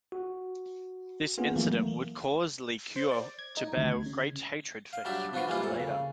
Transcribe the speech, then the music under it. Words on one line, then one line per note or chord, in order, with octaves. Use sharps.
This incident would cause Li Kuo to bear great hatred for Huige later.
F#4
A#3 B3 C#4 F4 G#4
E3 F#3 A3 A#3
C5
D5
G#6
D#4
D2
G#6
C#3
F5
F#3 G3 D4 G4 D5 E5
F3 D4 F4 F#4 B4
E3 G3 G#3 A#3 E4 F4
F2 A#2 A4
C#3